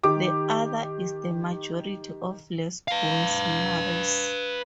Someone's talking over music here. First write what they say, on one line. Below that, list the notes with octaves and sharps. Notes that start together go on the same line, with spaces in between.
The other is the majority of Les Bonnes Mares.
D#3 G4 D6
B4 F5